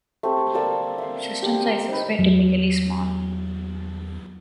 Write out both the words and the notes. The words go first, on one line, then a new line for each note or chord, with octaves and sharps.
System sizes were typically small.
A3 C4 G4 A4
A#3 A4 D5 E6
E5 C6
G4 A4 G5
A#4 D#6
C4 D#4 B4
E2 F#3